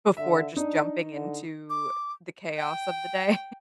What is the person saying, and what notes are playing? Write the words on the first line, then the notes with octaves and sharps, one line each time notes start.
before just jumping into the chaos of the day.
D3 E5
D4 D#4
D3
D6
G5